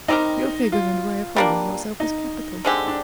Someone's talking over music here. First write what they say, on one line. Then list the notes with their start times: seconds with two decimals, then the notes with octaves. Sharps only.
Your figure and way of holding yourself is capital.
0.08 G3 C4 D#4 G4 A#4
0.72 F4
1.36 G3 A#3 D4
2.00 D#4
2.65 D3 G#3 C4 G4
2.88 D4